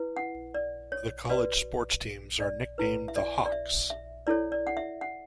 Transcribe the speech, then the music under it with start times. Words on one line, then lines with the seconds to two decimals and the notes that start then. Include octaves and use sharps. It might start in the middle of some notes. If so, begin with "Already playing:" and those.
The college sports teams are nicknamed the Hawks.
Already playing: E4 B4
0.16 F#5
0.54 D5
0.92 C#5
1.29 F#4 B4 D5
2.40 D5
2.78 E4 B4
3.08 E5
3.16 D5
3.45 D5
3.52 E5
3.90 E5
4.27 E4 A4 C#5 D5
4.52 D5
4.67 F#5
4.77 E5
5.01 F#5